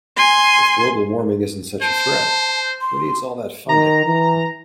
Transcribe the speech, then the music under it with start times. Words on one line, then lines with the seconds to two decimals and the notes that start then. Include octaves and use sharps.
If global warming isn't such a threat, who needs all that funding?
0.17 G#5 C6
1.82 C5 A5
2.81 C6
3.69 D#3 A#5
4.05 E3